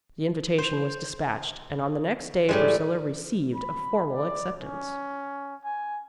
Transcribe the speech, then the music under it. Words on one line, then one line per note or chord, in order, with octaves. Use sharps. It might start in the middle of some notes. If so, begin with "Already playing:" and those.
The invitation was despatched, and on the next day Priscilla received a formal acceptance.
C5
A2 G3 G#3
B5
D5
C#4
G#5